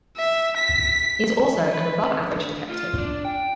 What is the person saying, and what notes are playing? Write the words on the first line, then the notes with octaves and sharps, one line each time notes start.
He is also an above average detective.
E5
B6
B4
D2
F4
D4
G5